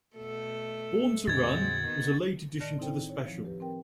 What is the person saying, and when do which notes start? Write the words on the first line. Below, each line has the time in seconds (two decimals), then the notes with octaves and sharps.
"Born to Run" was a late addition to the special.
0.16 B2 A3 A4
1.27 F2 A#2 D3 G#3 C4 F#4 G#6 A6
1.85 D#3 B3
2.60 A2 D#3 D5 A5 F6 A#6
2.78 C4 D#4 E4 A4 C5 G5
3.09 C#5
3.28 F3
3.45 G4 B4
3.60 C4 A#4 G5